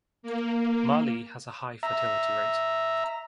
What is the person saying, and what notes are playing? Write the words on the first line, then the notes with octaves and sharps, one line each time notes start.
Mali has a high fertility rate.
A#3
E5 A#5